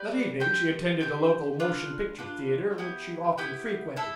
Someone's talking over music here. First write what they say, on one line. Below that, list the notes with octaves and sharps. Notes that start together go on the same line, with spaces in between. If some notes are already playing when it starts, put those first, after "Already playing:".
That evening she attended a local motion-picture theater which she often frequented.
Already playing: G4 B4 D5
G4 C5 G5
G4 C5 G5
D4 F4 B4
D4 F4 B4
B3 E4 G4
B3 E4 G4
E4 A4 E5